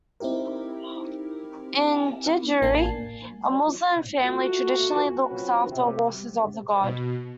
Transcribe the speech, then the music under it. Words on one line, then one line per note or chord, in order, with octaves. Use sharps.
In Jejuri, a Muslim family traditionally looks after the horses of the god.
C4 D#4 E4 G4 A#4
A1 A#3 D4 G#5 A5 C7
A3 F4 F#4
F#3 C4 C#4 F4 F#4 B4
C3 G4
B2